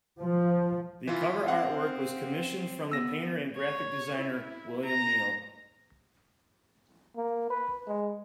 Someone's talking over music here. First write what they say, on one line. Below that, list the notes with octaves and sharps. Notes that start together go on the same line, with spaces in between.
The cover artwork was commissioned from the painter and graphic designer William Neal.
F3
E3 E4 F4
C4 F5 F#5
B3 E6 A#6
C#5
E4
A#5
A#3
B4
G#3